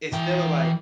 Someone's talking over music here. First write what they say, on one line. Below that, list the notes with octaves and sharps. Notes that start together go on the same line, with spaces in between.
instead of, like,
E3 G5